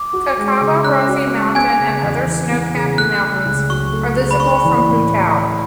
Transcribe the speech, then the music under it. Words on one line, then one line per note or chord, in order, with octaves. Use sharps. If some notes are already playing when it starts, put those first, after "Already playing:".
Hkakabo Razi Mountain and other snow-capped mountains are visible from Putao.
Already playing: D6
F#4
G#3
C#3
C#4 F#6
F#4
G#3
B3 G#5 G#6
C#3
E2
E3
B3
C#3
A3 F#6
C#3
C#2
F#3 C#6
A3
C#3
B5
D4 C#6
E3
A2